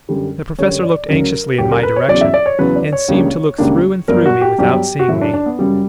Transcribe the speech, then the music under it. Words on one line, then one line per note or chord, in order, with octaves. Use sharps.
The Professor looked anxiously in my direction, and seemed to look through and through me without seeing me.
F#2 D3 G3
F#2 D3 G3 C#5
D5
D2 C#3 F#3 C#4 A#4
D2 C#3 F#3 C#4 G4
A#4
B4
C#5
E2 C#3 F#3 D5
E5
D5
C#5
E2 C#3 F#3 B4
D5
C#5
C#2 C#3 G3 A#3 D4
C#2 C#3 G3 A#3 D4
G2 F#3 B3 A#4
F#4
G4
G2 F#3 B3 G4
F#4
F#2 C#3 F#3 E4
D4
D4
B3
F#2 C#3 F#3 G3